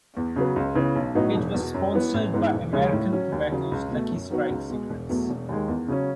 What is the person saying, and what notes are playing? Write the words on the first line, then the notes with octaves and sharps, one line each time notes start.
It was sponsored by American Tobacco's Lucky Strike cigarettes.
E2
C#3 F#3 B3
C#2
C#3 E3 B3
B1
A2 F#3 B3 D#4
E1
E2 B2
F#2
E3 B3
A1
G#2 E3 G#3 B3
E1
D#2 C#3 G#3 C#4
A2
F#3 C#4
D#2
C#3 F#3
C#2
B2 A3
F#2
D#3 F#3 B3 F#4
C#2
B2 G#3
E1
E2 B2 F#3 A3
E1
D#2 D#3 G#3
E2
C#3 F#3 C#4